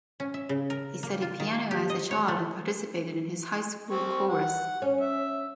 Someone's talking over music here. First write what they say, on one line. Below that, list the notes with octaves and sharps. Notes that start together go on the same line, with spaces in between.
He studied piano as a child and participated in his high school chorus.
C#4
E5
C#3
A#4
A#3
F4
D#3
G4
D#5
C#5
A3
C4 C#6
F#5
C#4
E5